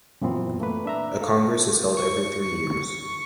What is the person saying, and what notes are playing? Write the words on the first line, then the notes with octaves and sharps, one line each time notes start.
A congress is held every three years.
F#2 A#2 E3 B3 C4
A3 A#3 B4
D4 E5 A#5
A4 F5
C#6